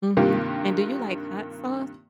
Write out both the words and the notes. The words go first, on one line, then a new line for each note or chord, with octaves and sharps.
Mhm, and do you like hot sauce?
G2 C3 D#3 A#3 F4 G4